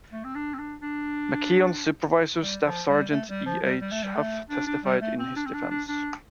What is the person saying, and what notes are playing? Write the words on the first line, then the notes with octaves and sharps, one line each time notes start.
McKeon's supervisor, Staff Sergeant E. H. Huff, testified in his defense.
A3
C4
D4
C4
D4
D4
G3
F3
G3
A3
G3
F3
G3
G3
A3
G3
A3
D4
D4
G3
A3
C4
D4
C4
D4
D4
D4